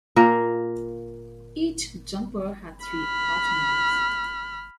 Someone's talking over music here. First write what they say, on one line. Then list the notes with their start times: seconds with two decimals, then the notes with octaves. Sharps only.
Each jumper had three opportunities.
0.16 A#2 A#3 A#4
2.86 B5 F6